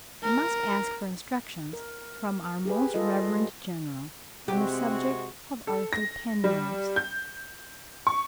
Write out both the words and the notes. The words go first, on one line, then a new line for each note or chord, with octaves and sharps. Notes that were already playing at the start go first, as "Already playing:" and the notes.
I must ask for instructions, from our Most Reverend General, on the subject of Arthur Penrose.
A#4
A#4
G4 G#4 B4
G3 F4 A4 D#5
C3 G#3 C4 F#4 G4
A4
A#6
G3
G6
C#6